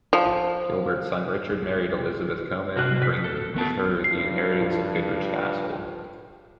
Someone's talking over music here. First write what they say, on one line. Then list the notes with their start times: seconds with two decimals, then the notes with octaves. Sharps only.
Gilbert's son Richard married Elizabeth Comyn, bringing with her the inheritance of Goodrich Castle.
0.13 F3
2.76 C3 F#4 F6 F#6
3.02 B6
3.24 A4
3.54 D#3 B3 A5
4.04 G2 C7
4.61 F3